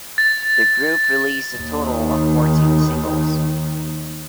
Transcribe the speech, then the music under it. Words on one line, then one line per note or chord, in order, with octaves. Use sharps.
The group released a total of fourteen singles.
A6
D#2 D#3